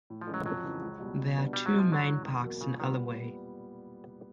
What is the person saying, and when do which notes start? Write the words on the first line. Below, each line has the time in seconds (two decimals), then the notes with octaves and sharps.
There are two main parks in Alloway.
0.10 A2
0.21 F3
0.27 E3 G#3 C#4
0.34 F#3
0.45 F2 F#3
0.63 C#3 E3
0.82 C#2
1.00 B2 G3
1.17 B2
1.36 G3 B3 D4
1.53 B2 G3
1.66 F#3
1.71 G#3 C4 D#4 F#4
1.78 F3
1.89 G2 F#3
2.07 E3 G#3 C#4 E4
2.25 E2 D#3
2.43 B2 F#3 A#3
2.61 A#2 C#3
2.79 D#3 G3 B3